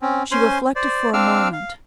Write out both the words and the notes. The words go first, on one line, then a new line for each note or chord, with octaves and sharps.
She reflected for a moment.
C4 C#4
C#4 C5 G#5 C6
C5 D5
C4 D4 F5 D6 E6 F6
F5